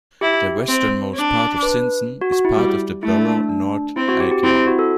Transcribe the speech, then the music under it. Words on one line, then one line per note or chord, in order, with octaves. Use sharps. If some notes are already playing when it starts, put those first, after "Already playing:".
The westernmost part of Sinsen is part of the borough Nordre Aker.
E4 G4
C4
D4
B4
F#4
F#4
E4
G3
A3 E4
D4
D4
D4
C4 E4
F#4
G4
G4
C4 E4
E4
F#4
A4